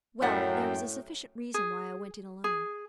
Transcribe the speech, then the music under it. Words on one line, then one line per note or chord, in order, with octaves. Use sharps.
"Well, there was a sufficient reason why I went in alone."
F#2 A2 D5 E5 F#5 G5
G#4
G#4